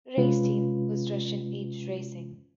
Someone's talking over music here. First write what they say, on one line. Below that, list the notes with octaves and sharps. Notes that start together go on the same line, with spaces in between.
Race team was Russian Age Racing.
C3 G#3 C#4 F4 B4